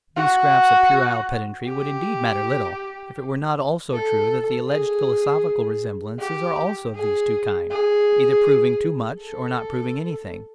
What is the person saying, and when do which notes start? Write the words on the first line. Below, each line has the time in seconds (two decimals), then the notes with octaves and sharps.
These scraps of puerile pedantry would indeed matter little if it were not also true that the alleged philosophical resemblances are also of these two kinds, either proving too much or not proving anything.
0.16 F#4
1.67 G4
3.93 A4
4.69 G#4
6.19 G4
6.95 G#4
7.71 G#4
9.20 A4